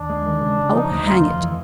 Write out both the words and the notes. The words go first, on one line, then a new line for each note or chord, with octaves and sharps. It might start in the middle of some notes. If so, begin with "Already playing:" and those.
Oh, hang it!
Already playing: D#2 D4
G#3
D#3
C#3
C#3
F3 D#4
D2
C#3 F4
F2
E3